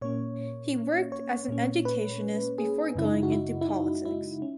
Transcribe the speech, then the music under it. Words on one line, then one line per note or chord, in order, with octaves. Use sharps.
He worked as an educationist before going into politics.
A#2 A#3 C#4 C#5
C#5
A#2 A#3 C#4
B4
G#4
F#2 C#3 G#3 E4
D#4
E4
F#4
E4
E4
D#4
E4
C#4